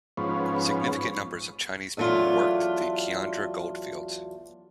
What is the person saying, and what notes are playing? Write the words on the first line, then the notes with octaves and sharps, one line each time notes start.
Significant numbers of Chinese people worked the Kiandra goldfields.
G#2 F3 B3 C#4
E2 F#3 A3 D4 F4